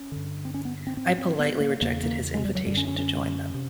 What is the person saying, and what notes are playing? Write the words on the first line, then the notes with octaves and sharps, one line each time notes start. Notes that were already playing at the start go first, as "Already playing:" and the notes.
I politely rejected his invitation to join them.
Already playing: C#4
G2 D3
C4
C#4
B3
C4
G#2 C4
C4
B3
A#3
E2 C#3 A#3
A#3
G#3
G3
F#3
F#2 D3 G3
C#4
C#4
C#4
C3